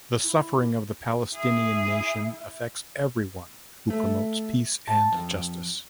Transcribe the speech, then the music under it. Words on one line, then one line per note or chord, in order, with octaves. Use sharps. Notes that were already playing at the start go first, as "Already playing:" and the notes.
The suffering of the Palestinian nation affects everyone, who promotes peace and justice.
E4
E4 G#4
A3
A5
F2